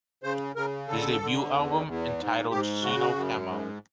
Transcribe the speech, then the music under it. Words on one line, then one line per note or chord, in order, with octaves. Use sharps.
His debut album entitled Sino Camo?
C#3 C5
C#3 A#4
D3 A4
D3
E2
E2
G#2
G#2 G4
C#3 F#4
F#2
G#2